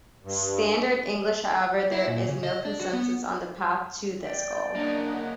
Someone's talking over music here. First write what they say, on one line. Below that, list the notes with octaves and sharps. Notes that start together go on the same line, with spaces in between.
Standard English; however, there is no consensus on the path to this goal.
G2
E4
A#2
C#3
D#5
D4
F#4
B3
D5 G5
A#3 C#4 D4 A#4 D#5 F#5